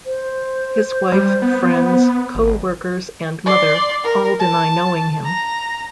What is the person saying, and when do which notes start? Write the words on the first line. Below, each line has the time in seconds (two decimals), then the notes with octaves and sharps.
His wife, friends, co-workers, and mother all deny knowing him.
0.06 C5
1.12 G3
1.42 B3
2.35 G#1
3.46 D5 C6
4.04 A#4
4.40 A5
5.24 A#5